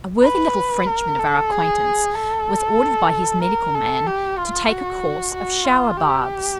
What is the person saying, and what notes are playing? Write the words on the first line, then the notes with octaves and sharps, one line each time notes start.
A worthy little Frenchman of our acquaintance was ordered by his medical man to take a course of shower-baths.
B4
A#4
A4
G#4
A4
A#4
A4
G4
F4
F#4
F#4
F4
G4